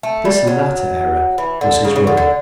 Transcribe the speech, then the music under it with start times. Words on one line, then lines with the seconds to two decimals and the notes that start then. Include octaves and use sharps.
This latter error was his ruin.
0.03 A3
0.25 G3
0.47 F#3
1.38 E3
1.61 D3
1.84 C#3
1.96 C#3
2.07 D3
2.17 D3